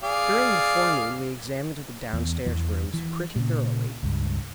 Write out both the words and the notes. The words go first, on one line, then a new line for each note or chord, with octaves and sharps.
During the forenoon we examined the downstairs rooms pretty thoroughly.
G#4 D5 F5
E2
E2 E3
E3
A#2 C#3
C#2 G2